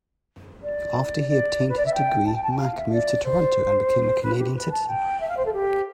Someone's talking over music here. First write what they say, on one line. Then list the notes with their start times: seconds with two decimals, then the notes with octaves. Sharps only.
After he obtained his degree, Mak moved to Toronto and became a Canadian citizen.
0.63 D5
1.29 D5
1.69 B4
1.77 D5
1.86 E5
1.94 G5
2.27 A5
2.35 G5
2.43 A5
2.51 G5
2.59 F5
2.76 E5
2.92 D5
3.24 C5
4.23 B4
4.39 G4
4.55 B4
4.71 A5
4.87 G5
5.20 E5
5.28 F5
5.37 C5
5.45 A4
5.53 G4